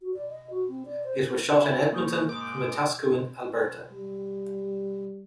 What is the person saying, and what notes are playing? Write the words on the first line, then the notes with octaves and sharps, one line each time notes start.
It was shot in Edmonton and Wetaskiwin, Alberta.
F#4
D5
D#5
F#4
C4
D5
C5
E4
A#3 C#4 D#6 G6
G#2 D6
G3